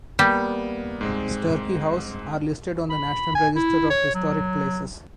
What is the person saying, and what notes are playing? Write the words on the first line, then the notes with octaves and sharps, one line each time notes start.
Sturkey House are listed on the National Register of Historic Places.
G3 A#3 B3
G#2 G#3 C4
B5
G#5
E4
C#5
F#3